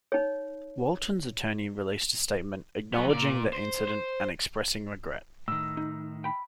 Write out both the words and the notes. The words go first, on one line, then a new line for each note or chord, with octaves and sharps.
Walton's attorney released a statement acknowledging the incident and expressing regret.
D#4 C#5
F#3 B3
A#2 D5
C5
C5
A2 D#3 E6
D#4
G5 B5